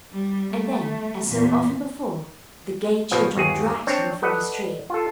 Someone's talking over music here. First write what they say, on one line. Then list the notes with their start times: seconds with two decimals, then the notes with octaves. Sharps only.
And then, as so often before, the gay children dragged him from his tree.
0.12 G3
0.51 A3
1.27 E2 A#2
3.11 A1 B2 F3 F5
3.35 G1 D#2 F#4 G#4
3.87 C4 D4 C#5
4.22 A4 B4 D5 D#5 F#5
4.90 F4 A4